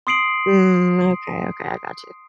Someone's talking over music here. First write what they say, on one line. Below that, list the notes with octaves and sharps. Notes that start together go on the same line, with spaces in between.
Mm, okay, okay, I got you.
C6 D#6 C7 D7 F#7